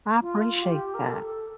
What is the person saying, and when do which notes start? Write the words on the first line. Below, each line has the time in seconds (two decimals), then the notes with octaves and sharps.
I appreciate that.
0.21 F4
0.62 G4
0.94 A#4
1.03 A4